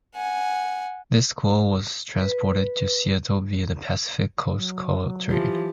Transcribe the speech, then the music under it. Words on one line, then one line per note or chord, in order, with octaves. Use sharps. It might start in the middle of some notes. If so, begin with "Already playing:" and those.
This coal was transported to Seattle via the Pacific Coast Coal train.
F#5 G#5
B4
F#3
E3 F3 G4